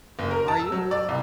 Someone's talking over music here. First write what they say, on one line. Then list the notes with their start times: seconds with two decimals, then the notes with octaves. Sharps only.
"Are you?"
0.19 F#1
0.31 A#4
0.48 A5
0.59 E6
0.72 F#3
0.91 D5
1.08 C2